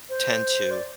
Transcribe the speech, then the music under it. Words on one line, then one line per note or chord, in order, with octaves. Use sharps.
tend to,
C5
D5